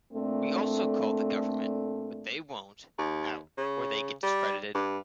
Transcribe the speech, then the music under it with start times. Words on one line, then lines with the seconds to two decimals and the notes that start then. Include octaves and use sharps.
We also called the government, but they won’t, out or they get discredited.
0.13 A#2 A3 C4 D4 A4
2.98 D#2
3.58 C#3
4.23 G3
4.75 G2